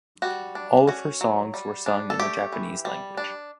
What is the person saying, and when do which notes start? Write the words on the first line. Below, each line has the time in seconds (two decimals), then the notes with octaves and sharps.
All of her songs were sung in the Japanese language.
0.22 G3 F#4
0.55 D4
0.87 C#4 F#4
1.21 F#3
1.54 G3
1.86 D4
2.10 A4
2.20 A3 G4
2.52 E3
2.85 G3
3.17 D4